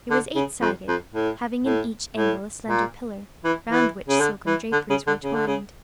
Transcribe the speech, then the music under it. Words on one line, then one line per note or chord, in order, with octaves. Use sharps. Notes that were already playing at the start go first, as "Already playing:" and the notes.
It was eight-sided, having in each angle a slender pillar, round which silken draperies were twined.
D3
C#3
F2
F2
A2
A2
A2
A#2
E3
E3
C#3
D3
E3
D3
C#3
D3
C#3
D3
C#3